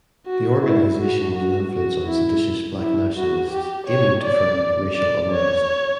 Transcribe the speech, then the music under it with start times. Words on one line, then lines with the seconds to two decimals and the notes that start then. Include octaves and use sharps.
The organization was an influence on seditious black nationalists, aiming to foment racial unrest.
0.27 F#4
0.63 E4
0.99 F#4
1.35 F#4
1.72 F#4
2.07 E4
2.79 E4
3.16 F#4
3.50 G4
3.87 C#5
4.23 D5
4.94 D5
5.31 C#5